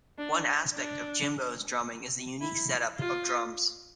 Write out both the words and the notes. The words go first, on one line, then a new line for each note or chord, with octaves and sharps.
One aspect of Jimbo's drumming is the unique setup of drums.
D4
D4
E4
F4